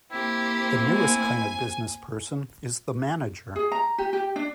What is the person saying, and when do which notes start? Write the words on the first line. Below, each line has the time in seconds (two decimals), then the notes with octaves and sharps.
The newest kind of businessperson is the manager.
0.12 A#3 C4 E4 G4
0.95 G#5
3.56 G#4
3.72 A#5
3.98 G4
4.13 G4
4.36 D4